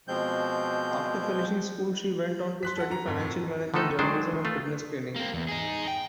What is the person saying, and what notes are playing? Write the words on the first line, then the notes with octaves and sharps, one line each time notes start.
After finishing school she went on to study financial management, journalism and fitness training.
B2 F3 G#3 C4 G6
C6 F#6 B6
A4 F#5
A#5
F2 G#2
F2 A2
D3 D#3 A3 D#4 A4
D#3 F#3 G#3 D4 C5
A3 F4
A#3 C4
E2
D#4 G#4
G5